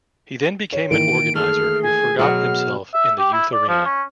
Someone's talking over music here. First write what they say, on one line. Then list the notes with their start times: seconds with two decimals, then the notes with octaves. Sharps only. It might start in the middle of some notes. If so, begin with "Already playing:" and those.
He then became an organizer who forgot himself in the youth arena.
0.73 C#5
0.91 D#3 E3 A#3 D7
1.35 A3 G#4 F6
1.83 G#5
2.19 B2 F#3 F#4 F6
2.94 E5
3.19 G4
3.33 E4
3.53 D5
3.69 F3
3.85 C#4